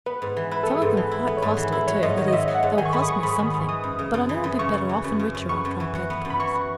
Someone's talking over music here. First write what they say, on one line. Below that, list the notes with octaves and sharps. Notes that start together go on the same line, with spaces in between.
Some of them quite costly, too; that is, they will cost me something, but I know I'll be better off and richer after I've paid the price.
B3 B4
G#2
E3
E4 B4
A4
B3
G#4
G#2 A4
E3
E4
B3
C#5
G#2 B4
E3
E4
F#3 C#5
G#2 D#5
D#3 C#5
D#5
G#2 E5
F#3
F#5
G#2
D#3 G#5
C#6
G#2 B5
D#6
F#3 C#6
G#2 B5
D#3
G#2
E3 D#6
F#2
C#3
F#2
E3
F#2
C#3 C#6
F#2
E3
F#2
C#3
F#2
B3 C#6
F#2
E3
F#4
B3
F#2
B5
E3 C#6
F#4